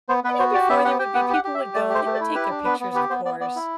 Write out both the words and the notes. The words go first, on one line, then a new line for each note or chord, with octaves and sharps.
you know, before there would be people would go, they would take their pictures, of course,
B3 C5
B3 B4
F#4 C5
G4 D5
B3 E5
G4 F#5
G4 G5
B3 F#5
G4 F#5
G4
E5
G4
A3 D5
G4 C5
A3
D5
E4
G4 B4
D4
B3 B4
B3
G4 B4
B3 C5
B3 D5
B3 D5
E4